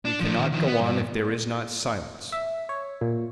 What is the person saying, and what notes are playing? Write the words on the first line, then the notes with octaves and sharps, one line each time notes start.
We cannot go on if there is not silence.
D4
F3 D4
D#3 F4
D#3 F3
B3
G2
E5
C#5
A#2